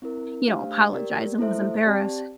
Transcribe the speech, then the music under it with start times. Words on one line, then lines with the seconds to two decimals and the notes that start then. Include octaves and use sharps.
you know, apologized and was embarrassed.
0.02 C4 E4 A#4
0.48 A3 D4 G4 C5 F5
0.93 G4 A#4 D5
1.38 A3 E4 A4 C5 E5
1.83 C4 G4 D5 A5